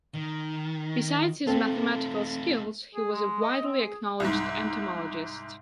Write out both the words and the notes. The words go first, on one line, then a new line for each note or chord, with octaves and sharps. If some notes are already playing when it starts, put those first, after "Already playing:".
Besides his mathematical skills he was a widely acknowledged entomologist.
D#3
A3 C4 F4 A4
G#4
G#3
D#5
C4
G#4
C2 G#2